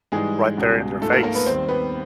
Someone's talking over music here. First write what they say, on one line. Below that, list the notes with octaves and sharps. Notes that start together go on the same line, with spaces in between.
right there in their face
G#2 E3 G3 G#3 G#4
C#2 B2 G3
G#2 F3 A3 A4
A#3 A#4
A#3 A#4
B3 B4
D#2 D#3 G3 C4 C5
B3 B4